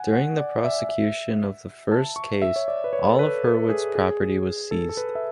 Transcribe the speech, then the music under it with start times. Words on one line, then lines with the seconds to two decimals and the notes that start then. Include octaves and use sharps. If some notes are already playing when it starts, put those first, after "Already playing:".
During the prosecution of the first case, all of Hurwitz's property was seized.
Already playing: F#5 G#5
0.13 F#5
0.38 D5
0.58 D5
0.64 E5
0.84 D5
0.89 E5
1.91 A5
2.16 C#6
2.42 E5
2.56 C#5
2.68 D5
2.84 B4
2.93 C#5
3.08 A4
3.19 B4
3.44 A4
3.69 G#4
3.95 G#4
4.71 A4
4.89 A4
4.97 B4
5.15 E5